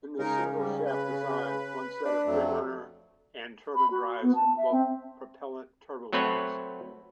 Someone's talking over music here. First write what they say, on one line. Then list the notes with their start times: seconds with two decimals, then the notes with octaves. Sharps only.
In the single-shaft design, one set of preburner and turbine drives both propellant turbopumps.
0.19 C#3 G#3 D#4 A#4
0.58 G#2 G3
0.85 B4
2.05 D4
2.26 F2 F#3 A3
3.75 B5
3.91 F#4
4.22 B3
4.35 A5
4.57 E5
4.72 C4
6.13 F#3 A3 C4 B4 C#5